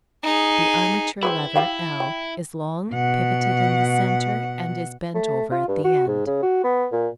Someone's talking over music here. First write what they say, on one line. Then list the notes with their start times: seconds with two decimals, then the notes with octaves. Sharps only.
The armature lever, L, is long, pivoted in the centre, and is bent over at the end.
0.24 D#4 G#4
1.23 C4 E4 G#4 B4
1.56 G4 F5 G5
2.00 G5
2.91 B2 F#5
5.15 A3
5.52 F4
5.68 G2
5.85 F#4
6.07 G#2
6.27 C#3
6.42 F#4
6.64 B3
6.92 A#2